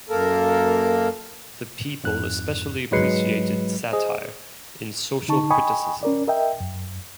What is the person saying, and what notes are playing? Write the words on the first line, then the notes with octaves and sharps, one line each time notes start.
The people especially appreciated satire and social criticism.
F#2 A#3 A4 A#4
F2 G#2 F#6
G#2 F#3 G#3 B4 C7 C#7
G#4 C5 D#5
D3 D#4 A5 C#6
D#5 G5 G#5 B5 C#6 D#6
C#4 A#4 D5
A#4 D#5 E5 G5
F#2